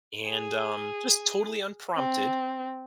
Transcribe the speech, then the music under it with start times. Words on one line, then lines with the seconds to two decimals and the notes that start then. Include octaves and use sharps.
And, um, just totally unprompted,
0.27 G#4
1.96 C4